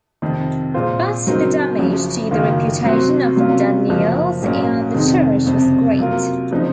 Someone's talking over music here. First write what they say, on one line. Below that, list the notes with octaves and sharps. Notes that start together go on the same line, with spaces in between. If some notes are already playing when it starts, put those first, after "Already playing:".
But the damage to the reputation of Danneels and the Church was great.
F2 C3 D#3
A#2 G#3 C4 F4 C5
C#3 F#3 C4 D#4 A#4
F#1 F#2 C#3 F3
F#1 F#2 D#3 A#3 F4
C3 F#3 C4 F#4 C5
C3 F#3 A#3 C#4 F4
F#1 F#2 F3 A#3
A#1 G#2 F#3 A#3 C#4
F1 F2 D#3 G#3 D#4
F#1 F2 C3
C3 F#3 A#3 F4 A#4
C#3 F3 C4 D#4